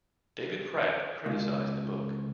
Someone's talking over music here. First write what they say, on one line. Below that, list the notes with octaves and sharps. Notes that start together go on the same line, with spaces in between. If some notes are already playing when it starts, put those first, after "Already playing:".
David Pratt criticized the book.
C#2